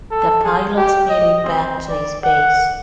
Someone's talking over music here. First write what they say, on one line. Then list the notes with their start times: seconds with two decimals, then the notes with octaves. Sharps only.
The pilot made it back to his base.
0.11 A4
0.44 G#4
0.77 G4
1.09 D#5
1.44 C4
1.88 D5
2.24 F#5